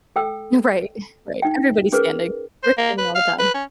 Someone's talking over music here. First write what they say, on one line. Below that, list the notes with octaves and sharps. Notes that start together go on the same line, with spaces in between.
Right, right, everybody's standing, we're standing all the time.
A4 G5 E6
D#4 G5
C#4 G#4 A#4 B4
C5
A#3
B4
F5
B4
C#4